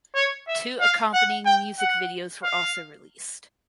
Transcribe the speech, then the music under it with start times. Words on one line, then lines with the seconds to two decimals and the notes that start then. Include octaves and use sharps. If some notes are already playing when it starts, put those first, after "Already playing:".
Two accompanying music videos were also released.
0.15 C#5
0.48 E5
0.81 F5
1.14 F#5
1.46 G5
1.79 F#5
2.44 F5